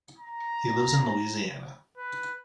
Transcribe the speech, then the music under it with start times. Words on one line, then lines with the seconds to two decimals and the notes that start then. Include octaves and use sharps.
He lives in Louisiana.
0.19 A#5
1.98 B4